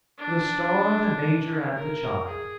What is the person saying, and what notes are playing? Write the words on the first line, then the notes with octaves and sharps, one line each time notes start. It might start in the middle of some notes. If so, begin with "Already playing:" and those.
"The star, the manger, and the Child!"
D4
A#4
G#4